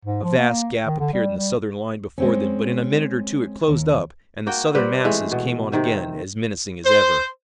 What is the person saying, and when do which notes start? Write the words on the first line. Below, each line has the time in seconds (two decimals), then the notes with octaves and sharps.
A vast gap appeared in the Southern line before them, but in a minute or two it closed up, and the Southern masses came on again, as menacing as ever.
0.05 G#2
0.23 F3
0.38 A#3
0.86 D#3
1.00 D3
1.13 G3
1.37 G3
2.18 G#3 C4 C#4
3.68 D#2
4.47 A#3 F#4 G5
4.75 G3 C4 B4
5.05 E3 G#3 A3
5.32 B2
5.72 C3 D#3 C4
6.85 C5